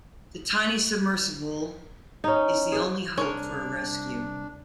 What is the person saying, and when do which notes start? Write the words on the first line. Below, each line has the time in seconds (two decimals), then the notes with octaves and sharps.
The tiny submersible is the only hope for a rescue.
2.24 C#4 D#4
2.72 G#4
3.17 C2 D4 G#4 A#4 C5 C#5